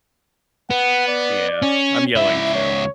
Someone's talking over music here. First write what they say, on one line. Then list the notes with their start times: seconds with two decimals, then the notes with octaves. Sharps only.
Yeah, I'm yelling too.
0.70 B3 F#5
1.08 D5
1.62 C#4
2.16 C#2 E4 E5
2.54 C#5